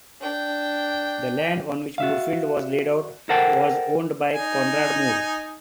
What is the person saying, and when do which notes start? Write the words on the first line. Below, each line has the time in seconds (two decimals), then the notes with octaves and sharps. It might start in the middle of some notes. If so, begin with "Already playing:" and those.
The land on which Moorefield was laid out was owned by Conrad Moore.
0.21 D4 G5
1.98 F#4 E5 F5
3.29 A4 A#4 C5 F#5 G5 A5
4.33 D#4 G#5